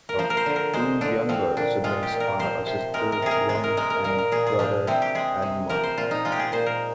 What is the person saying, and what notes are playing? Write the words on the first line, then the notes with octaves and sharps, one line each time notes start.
Her two younger siblings are a sister, Gwen, and a brother, Edmund.
A#4
F3 C5
A#4
C5
D3
A#4
G#3 C5
D3 D4
F3 C4
A#2 D4
G#3 F4
G4
A#2
A#4
F3 C5
C3 C5
G#3 A#4
A#4
C3 G#4
A#4
G#3 G#4
A#4
G#3 A#4
A#4
A#2 A#4
A#4
A#2 G#4
G#4
F3 D4
C3 C4
G4
G#3 G#4
C3
F3 A#4
C5
A#2 F4
D#4
G#3 F4
G4
G#4
A#2 C5
A#4